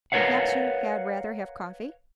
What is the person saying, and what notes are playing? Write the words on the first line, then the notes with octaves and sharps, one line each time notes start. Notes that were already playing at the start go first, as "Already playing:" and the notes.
"Perhaps you had rather have coffee?"
A#4 B4 C#5 F5 F#5